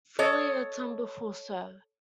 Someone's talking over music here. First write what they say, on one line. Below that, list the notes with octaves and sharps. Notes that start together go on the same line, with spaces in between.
Fully a tumblerful, sir.
A4 C#5 D#5